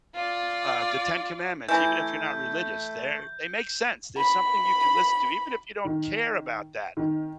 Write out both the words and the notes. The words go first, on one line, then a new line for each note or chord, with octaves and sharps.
uh, The Ten Commandments, even if you're not religious, they're they make sense. There's something you can listen to, even if you don't care about that.
F4 D5
E3 A3 E4 E5 G#5 A#5 G6
B5
D#3
D#3